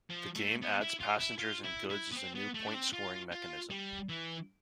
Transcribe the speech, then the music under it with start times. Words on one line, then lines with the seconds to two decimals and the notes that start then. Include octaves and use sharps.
The game adds passengers and goods as a new point-scoring mechanism.
0.10 F3
0.36 A3
0.62 B3
0.81 E4
1.00 F4
1.19 E4
1.39 F4
1.64 E4
1.90 E4
2.12 B3
2.16 C4
2.35 B3
2.54 A3
2.67 D4
2.74 C4
2.93 F4
3.32 F4
3.70 G3
4.09 E3